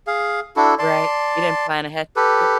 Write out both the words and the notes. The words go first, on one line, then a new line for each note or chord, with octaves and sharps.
Right, you didn't plan ahead? You
G#4 F5
D4 E4 F#4 A4
D5 A5 C6
G4 A4 B4